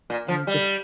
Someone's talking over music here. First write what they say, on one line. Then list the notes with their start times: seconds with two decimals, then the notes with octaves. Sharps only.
and just
0.10 A#2
0.28 F3
0.47 G3